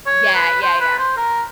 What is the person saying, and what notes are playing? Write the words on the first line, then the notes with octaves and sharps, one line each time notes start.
Yeah, yeah, yeah.
C#5
B4
C5
B4
C5
A#4